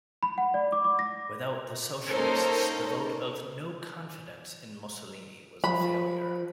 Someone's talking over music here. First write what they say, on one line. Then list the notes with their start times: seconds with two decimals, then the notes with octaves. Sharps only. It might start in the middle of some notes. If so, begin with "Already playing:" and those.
Without the socialists the vote of no 'confidence' in Mussolini was a failure.
0.23 B5
0.38 F#5
0.54 D5
0.72 D6
0.84 D6
0.99 A#6
2.10 A#3 C#4 D#4 A4 A#4 C5
5.64 F3 B5